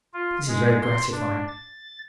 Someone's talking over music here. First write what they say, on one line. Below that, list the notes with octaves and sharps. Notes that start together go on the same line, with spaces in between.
This is very gratifying.
F4
G#3
C6
D4
A6